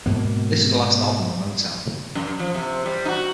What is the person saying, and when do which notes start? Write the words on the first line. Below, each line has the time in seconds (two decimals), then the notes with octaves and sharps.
This was the last album on Motown.
0.06 G#2 B2 A#3
2.15 F#2
2.39 F3
2.54 C3
2.86 G3
3.05 D#4 F#4